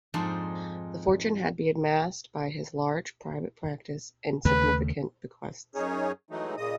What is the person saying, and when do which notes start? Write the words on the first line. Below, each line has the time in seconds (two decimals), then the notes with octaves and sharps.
The fortune had been amassed by his large private practice and significant bequests.
0.14 F2 G#2 F3 D#4 C5 D5
4.45 D#2 C#3 A3 B4
5.75 F#2 C#4 D#4 G#4 C#5
6.31 E3 F#3 G#3 A3 D#4
6.57 A#2 C#3 D#5 D#6